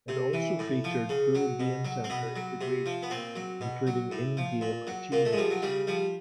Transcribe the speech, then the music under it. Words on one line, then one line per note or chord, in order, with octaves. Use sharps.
It also featured full Game Center integration - including in-game achievements.
C3
E3
A2
F3
C#3
F#3
B2
F#3
C4
B2 B3
F#3
C3
F3
B3
A#2 C4
F#3
B2
F#3
A2
F3
A#2
F#3
A#2 A#3
A3
G#3
F3 G3
F#3
C#3 G3
F3 G3